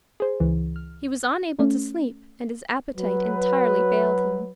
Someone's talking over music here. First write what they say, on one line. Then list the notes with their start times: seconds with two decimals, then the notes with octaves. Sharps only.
He was unable to sleep and his appetite entirely failed him.
0.20 G#4 C5
0.40 C#2 E3
0.76 F6
1.59 A3 C#4
2.96 F#3 B4